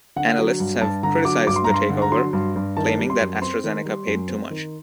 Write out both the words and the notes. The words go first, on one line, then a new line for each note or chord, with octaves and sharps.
Analysts have criticised the take-over, claiming that AstraZeneca paid too much.
D3 F#5
F#3
G2
G2 A5
D3 A#5
F#3 D6
G2 D6
C6
A#5
G2
C6
D3
A#5
F#3 C6
G2
G2
D#3 A5
G3
C6
F#2
C4 C6
D#3
G3
F#2
C4
D#3